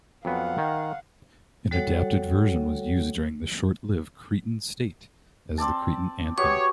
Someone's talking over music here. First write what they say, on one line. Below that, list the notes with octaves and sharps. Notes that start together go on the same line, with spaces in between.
An adapted version was used during the short-lived Cretan State as the Cretan Anthem.
F2 F#3 B3 F5 F#5
D#3
G3 F#4 A4 C#5 F#5
C4 D5 A5
B3 F#4 G4 C#5 C#6